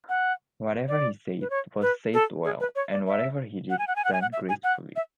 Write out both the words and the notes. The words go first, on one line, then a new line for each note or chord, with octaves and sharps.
Whatever he said, was said well; and whatever he did, done gracefully.
F#5
D5
B4
C#5
B4
A4
G#4
B4
C#5
D5
E5
F#5
G#5
F#5
G#5
F#5
G#5
F#5
E5
G#5
F#5
E5